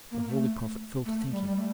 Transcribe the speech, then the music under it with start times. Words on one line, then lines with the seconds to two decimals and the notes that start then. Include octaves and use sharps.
The holy prophet fell to thinking.
0.11 A#3
0.29 A3
1.06 A3
1.31 G3
1.46 G3
1.57 A3